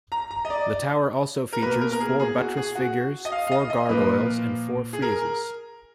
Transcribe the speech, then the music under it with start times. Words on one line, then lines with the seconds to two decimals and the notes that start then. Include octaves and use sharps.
The tower also features four buttress figures, four gargoyles and four friezes.
0.12 A#5
0.31 A#5
0.45 D#5
0.50 D5
1.53 A#4
1.62 A#3 B4
1.65 B2
1.81 A#4
1.92 A#4
2.00 G#4
2.20 G#4
2.38 F#4
2.57 G#4
2.75 F#4
3.25 D#5
3.32 F5
3.47 F5
3.52 D#5
3.70 D#5
3.88 A#2 F3 A#3 B4
4.93 G#4
5.02 A#4